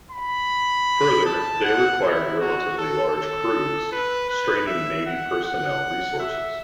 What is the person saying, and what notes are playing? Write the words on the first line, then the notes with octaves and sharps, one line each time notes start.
Further, they required relatively large crews, straining Navy personnel resources.
B5
A5
F#5
E4
F#4
A4
A4
B4
B4
E5
F#5
F#5
E5